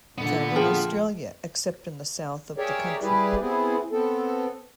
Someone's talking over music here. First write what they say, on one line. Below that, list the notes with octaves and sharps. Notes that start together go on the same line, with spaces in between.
Found in Australia except in the south of the country.
A#2 D3 B3 F#5
F3 G#4 A#4 G5
G4 G#4 A#4 C#5 D5 E5
G3 E4 G4 G#4 B4 D5
B3 C4 E4 G#4
B3 C4 A4